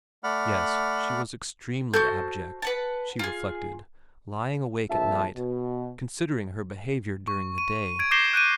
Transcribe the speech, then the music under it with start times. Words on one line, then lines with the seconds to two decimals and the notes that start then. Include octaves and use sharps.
Yes, she was extremely abject, she reflected, lying awake at night considering her behaviour during the day.
0.24 A3 D5 F#5 B5 F6
1.94 F#4 A4 C5 G6
2.62 B4 F#5 A5
3.19 F4 G#4
4.89 A#1 F2 E5 A5
5.35 B2
7.28 C#6
7.58 D#7
7.99 G#6 D7
8.11 D6 G6 A#6 C7 E7 G7
8.33 F#6 G6 D7 D#7